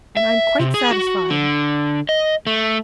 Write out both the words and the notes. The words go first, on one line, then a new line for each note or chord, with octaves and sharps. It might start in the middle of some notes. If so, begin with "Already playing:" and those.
And I'm quite satisfied.
E5
C3
G#4
F#4
D3
D#5
A3